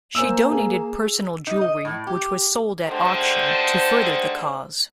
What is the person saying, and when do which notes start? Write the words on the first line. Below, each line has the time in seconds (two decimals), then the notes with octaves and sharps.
She donated personal jewelry which was sold at auction to further the cause.
0.15 A#3 C5 G#5 E6
0.50 G#4 G#5
1.47 D#4
1.61 D#5
1.85 A2
2.07 G4
2.86 D2 G#2 D3 G4 A4 C5